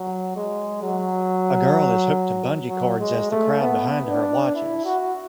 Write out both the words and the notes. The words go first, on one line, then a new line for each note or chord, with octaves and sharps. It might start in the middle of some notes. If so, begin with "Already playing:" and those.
A girl is hooked to bungee cords as the crowd behind her watches.
Already playing: F#3
G#3
F#3
F#3
G#3
A3
B3
D4
E4
F#4